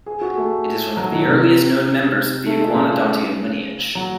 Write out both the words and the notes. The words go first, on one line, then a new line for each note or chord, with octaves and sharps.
It is one of the earliest known members of the iguanodontian lineage.
G#4
F#4
A3
F#3
D#3
C3
A3
G#3
C#3
F#3